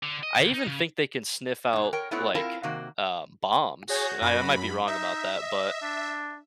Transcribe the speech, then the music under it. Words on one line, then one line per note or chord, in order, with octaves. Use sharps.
I even think they can sniff out, like, um, bombs, and I I might be wrong about that, but
D3
D#5
D2
D#4
C#3
G#2 B2
A#4 C#5 G5
A3 B3 C4 E4 C#5 F#5
C4 E4 F4 A#4 F5 A5
C3 D#3 A#3 F#4
F#4 G#4 C#5 G6
F#2 B5
D#4 E5
D#5
D4